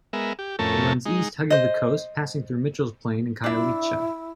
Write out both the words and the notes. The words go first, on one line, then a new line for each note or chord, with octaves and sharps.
It runs east, hugging the coast, passing through Mitchell's Plain and Khayelitsha.
G#3 B3 A#4 E5
G4
F2 A2 A3 C#4 A#4 A5
G#3 D#4
C5 D#5
D4 E4 E5